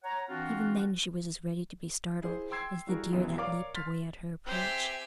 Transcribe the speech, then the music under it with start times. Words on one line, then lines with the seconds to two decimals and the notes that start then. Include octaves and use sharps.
Even then she was as ready to be startled as the deer that leaped away at her approach.
0.04 C#5 F#5 A#5
0.29 E3 C4 D4 F4 F#4
2.21 E4 G#4 C5
2.51 G5 C6 E6 G#6 C7
2.87 G3 E4 F#4 G#4 A#4
3.12 A1 F#2 B2 E3 F#3
3.38 A#4 C#5 D5 F5 D6
3.75 C6 F6 A6 B6
4.46 C4 G4 C5 E5 G5 G#5